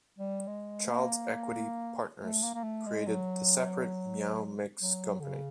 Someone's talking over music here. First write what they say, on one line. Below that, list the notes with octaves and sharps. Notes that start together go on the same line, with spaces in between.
Childs Equity Partners, creating the separate Meow Mix Company.
G3
G#3
A3
A#3
A3
A#3
A#3
A3
G#3
F#3
F#3
D3
C#3